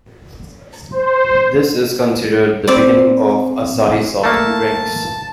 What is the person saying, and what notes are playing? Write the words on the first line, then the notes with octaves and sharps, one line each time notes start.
This is considered the beginning of Asahi Soft Drinks.
C5
C4 D5
A3 A#3 A5